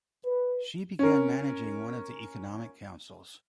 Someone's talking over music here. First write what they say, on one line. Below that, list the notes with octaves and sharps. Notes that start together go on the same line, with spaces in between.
She began managing one of the Economic Councils.
B4
C#4 A#4